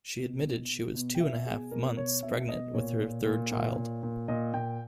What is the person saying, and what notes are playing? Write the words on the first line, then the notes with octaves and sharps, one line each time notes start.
She admitted she was two-and-a-half months pregnant with her third child.
B2
B2
B2
B2
G5
B2 E5
B2 G#4
B2 A#4
B2 C#5
B2 E5
B2 D#5
A#2 C#5
A#2
A#2
A#2
A#2
A#2
A#2 D#5
A#2 G5